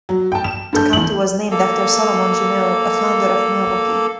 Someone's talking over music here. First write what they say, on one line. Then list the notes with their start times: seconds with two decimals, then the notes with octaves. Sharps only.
The county was named after Solomon Juneau, a founder of Milwaukee.
0.09 F#3
0.32 G5 A5
0.44 E7
0.73 G2 A4 G6
0.93 E2 F#7
1.51 A#3 A4